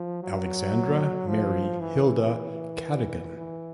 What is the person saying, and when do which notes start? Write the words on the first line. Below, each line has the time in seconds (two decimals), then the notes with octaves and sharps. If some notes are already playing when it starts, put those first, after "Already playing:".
Alexandra Mary Hilda Cadogan.
Already playing: F3
0.23 F#3
1.28 F3
1.80 E3
3.37 E3